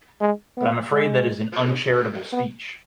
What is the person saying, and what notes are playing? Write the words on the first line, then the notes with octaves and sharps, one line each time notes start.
But I’m afraid that is an uncharitable speech.
G#3
B3
G#3
B3